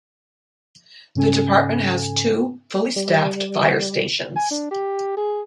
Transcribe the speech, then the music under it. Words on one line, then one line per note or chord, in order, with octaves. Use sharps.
The department has two fully staffed fire stations.
G#2 C#3 C#4 A4 G#5
G3
G#5
D4
G4
G#4